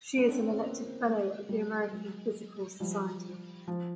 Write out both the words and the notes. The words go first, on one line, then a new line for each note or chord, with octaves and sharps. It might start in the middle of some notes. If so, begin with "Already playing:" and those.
She is an elected fellow of the American Physical Society.
B3 C#4
C4 D4
C4 D4
B3 C#4
A#3 C4
A#3 C4
G#3 A#3
G3 A3
F#3 G#3
F3 G3
F3